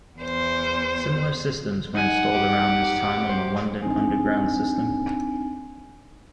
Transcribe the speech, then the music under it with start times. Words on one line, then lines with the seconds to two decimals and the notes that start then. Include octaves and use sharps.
Similar systems were installed around this time on the London Underground system.
0.18 E2 C5
1.95 D#4 F#5 G#5
2.31 G4
3.29 C5
3.82 C4 D4 D#4 G#5